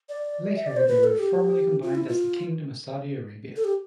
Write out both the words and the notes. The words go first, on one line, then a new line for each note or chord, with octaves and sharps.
Later they were formally combined as the Kingdom of Saudi Arabia.
D5
E5
D5
C5
B4
A4
G4
F4
E4
F4
A4
G4